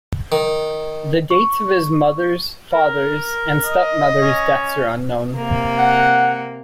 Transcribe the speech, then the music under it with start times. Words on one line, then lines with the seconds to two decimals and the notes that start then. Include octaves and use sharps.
The dates of his mother's, father's, and stepmother's deaths are unknown.
0.32 D#3
1.30 C#6
2.73 A#4
3.64 D#5
4.22 C#4
5.36 C3 A#3
5.79 F#5